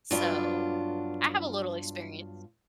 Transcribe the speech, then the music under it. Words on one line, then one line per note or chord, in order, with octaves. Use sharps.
So I have a little experience.
G2 F#3 B3 D4 F4